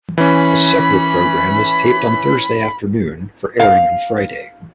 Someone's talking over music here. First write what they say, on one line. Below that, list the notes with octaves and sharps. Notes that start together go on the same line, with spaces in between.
A separate program is taped on Thursday afternoon for airing on Friday.
E3 C#4 B5
F5